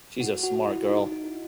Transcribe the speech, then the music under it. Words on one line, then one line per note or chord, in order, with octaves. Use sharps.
She’s a smart girl.
F#4
F#4
E4
D#4
D#4